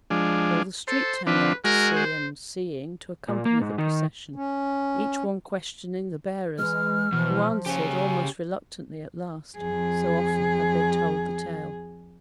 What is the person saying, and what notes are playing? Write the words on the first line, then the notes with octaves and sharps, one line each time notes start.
All the street turned out to see, and, seeing, to accompany the procession, each one questioning the bearers, who answered almost reluctantly at last, so often had they told the tale.
F3 G#3 D4
A4 C5
F3 C4 D4 B4
G#3 F#4 A#4
C5
A#2
A#3
G#2
D#3
C#4
E3 G#3 F6
B2 E3 F3
C#3 G4 C#5 G#5
F2 G#4